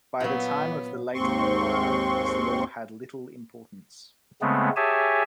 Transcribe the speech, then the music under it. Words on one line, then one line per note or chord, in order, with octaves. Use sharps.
By the time of the late empire, this law had little importance.
A#2 F#3 B3
D#2 G#2 C4 C6 C#6
C#3 G#3 A3 B3 C4
G4 G#4 C#5 E5 G#5 A5